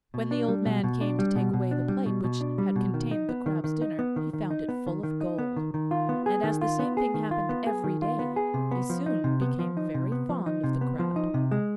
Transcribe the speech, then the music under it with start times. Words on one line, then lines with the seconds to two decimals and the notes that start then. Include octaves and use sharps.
When the old man came to take away the plate which had contained the Crab's dinner, he found it full of gold, and as the same thing happened every day he soon became very fond of the Crab.
0.14 B2
0.31 D4
0.48 G3
0.66 B2
0.84 B2
1.01 D4
1.19 G3
1.35 B2
1.53 B2
1.71 D4
1.88 G3
2.06 B2
2.24 B2
2.41 D4
2.58 G3
2.76 B2
2.94 D#3
3.11 D#4
3.29 B3
3.46 D#3
3.64 D#3
3.82 D#4
3.99 B3
4.16 D#3
4.33 D#3
4.51 D#4
4.69 B3
4.86 D#3
5.03 D#3
5.21 D#4
5.38 B3
5.56 D#3
5.74 D#3
5.91 F4
6.09 B3
6.26 G#4
6.44 D#3
6.61 F4
6.79 B3
6.97 G#4
7.14 D#3
7.31 F4
7.49 B3
7.67 G#4
7.84 D#3
8.02 F4
8.19 B3
8.36 G#4
8.54 C3
8.71 B3
8.90 F3
9.06 D#4
9.24 C3
9.42 B3
9.59 F3
9.77 D#4
9.94 C3
10.12 B3
10.29 F3
10.46 D#4
10.64 C3
10.81 B3
10.99 F3
11.16 D#4
11.34 C3
11.51 G#3